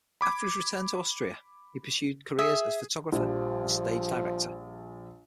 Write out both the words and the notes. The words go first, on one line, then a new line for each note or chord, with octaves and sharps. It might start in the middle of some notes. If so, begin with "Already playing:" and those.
After his return to Austria, he pursued careers as a photographer and stage director.
B5 D6 G#6
G#4 E5 D#6
A#1 F3 G3